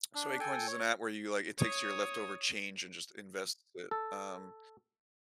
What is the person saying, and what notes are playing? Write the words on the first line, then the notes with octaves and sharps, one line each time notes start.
So Acorns is an app where you, like, it takes your leftover change and just invests it, um,
D4
A4 G5 G#5
C#5
C#5 D#6
A4